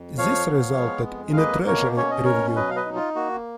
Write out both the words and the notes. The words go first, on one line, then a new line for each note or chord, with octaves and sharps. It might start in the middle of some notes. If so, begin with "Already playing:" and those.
This resulted in a Treasury review.
Already playing: F2
F3 C#5 F5
B3
G#3
F2
F5
A#3 B4 D#5
B2 A#4 C#5
C#4 C#5
D#5
B2 A#4 C#5
F#3 B4 D#5
F5
B4 D#5
D#4
F4
A#3 F#4